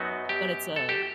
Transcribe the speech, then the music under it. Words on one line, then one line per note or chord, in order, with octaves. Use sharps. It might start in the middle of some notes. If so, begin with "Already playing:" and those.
But it's a
Already playing: F#2 F#3 B3 D#4 F#4
G4
A4
G4